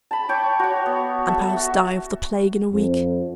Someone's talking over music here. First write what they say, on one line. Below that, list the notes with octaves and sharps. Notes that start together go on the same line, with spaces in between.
"And perhaps die of the plague in a week."
A5 B5
C#5 G5 D6
F#4 C#5
B3
A4 E5
F#4
F2